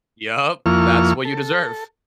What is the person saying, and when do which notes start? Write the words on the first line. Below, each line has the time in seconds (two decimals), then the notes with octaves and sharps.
Yup. That's what you deserve.
0.66 F2 F3 A#3 E4 C#6 F6
1.25 A4